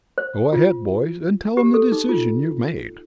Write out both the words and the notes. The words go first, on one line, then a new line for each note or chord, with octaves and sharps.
"Go ahead, boys, an' tell him the decision you've made."
C5
F4
G4
A4
D#4
F4